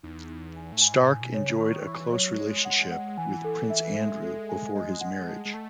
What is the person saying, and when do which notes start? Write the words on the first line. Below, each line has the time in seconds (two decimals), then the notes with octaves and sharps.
Stark enjoyed a close relationship with Prince Andrew before his marriage.
0.03 E2 D#4
0.29 D#4
0.56 G#5
0.72 A2
0.81 G#2 G#5
0.93 B2
1.02 A2
1.09 G#5
1.21 B2
1.34 C#5
1.41 C#3
1.60 D#3 C#6
1.87 E3 C#6
2.13 F#3 C#5
2.39 G#3 C#5
2.65 F#5
2.92 F#5
3.18 E3 G#5
3.44 A4
3.70 E5
3.96 G#3 E5
4.23 A4
4.49 G#5
4.74 G#3 D#5
5.01 F#5
5.28 A5
5.45 G#3
5.53 A3 A5